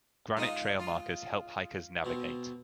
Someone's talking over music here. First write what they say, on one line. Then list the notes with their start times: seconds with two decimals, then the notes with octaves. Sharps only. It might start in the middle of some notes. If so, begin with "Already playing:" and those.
Granite trail markers help hikers navigate.
0.37 G#3 D#4 F4 D#6
0.79 F4
2.05 B2 C4